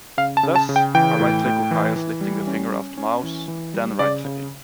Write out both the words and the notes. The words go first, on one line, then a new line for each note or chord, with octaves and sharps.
Thus a right-click requires lifting the finger off the mouse, then right-clicking.
C#3 F5
A5
C#3
A5
C#3
G5
E3 G5
A2
A2
E3
E3
G3
C#4
C#4
C#4
E3
E3
G3
C#3 D5
C#3